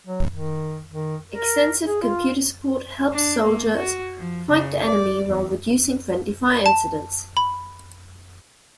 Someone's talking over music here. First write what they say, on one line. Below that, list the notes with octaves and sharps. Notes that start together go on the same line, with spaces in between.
Extensive computer support helps soldiers fight the enemy while reducing friendly fire incidents.
F#3
D#3
D#3
A#4
G#4
F4
D4
A#3
F#4
F3
C#3
D5
E2
A5
B5